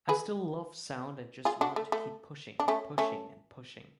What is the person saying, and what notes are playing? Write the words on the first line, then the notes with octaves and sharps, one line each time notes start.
I still love sound and just want to keep pushing, pushing and pushing.
G#4 B4
F4 G#4
D4 F#4
A3
A3
D4
A3 C#4
A3 C#4